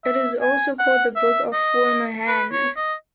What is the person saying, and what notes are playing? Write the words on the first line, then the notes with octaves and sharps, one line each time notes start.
It is also called the Book of Former Han.
E5
G#5
F#5
E5
D#5
B4
C#5
D#5